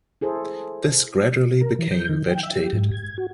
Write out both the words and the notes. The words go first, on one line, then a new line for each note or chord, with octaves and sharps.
This gradually became vegetated.
E4 G#4 A4 C5
A#4
E3
G6
D#3
G5
E5
G4
G#2
G#6
F#4